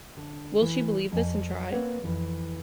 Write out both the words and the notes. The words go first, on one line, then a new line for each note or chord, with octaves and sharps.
Will she believe this and try?
D3
E3
F2 G#5
A#3 C4 B4 C#5 F#5
F2 E3